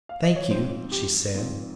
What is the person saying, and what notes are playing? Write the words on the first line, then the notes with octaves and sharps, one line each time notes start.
"Thank you," she said.
F5
D#5
C#5
G#2 F3 C4 C5
G4
G#2 F3 C4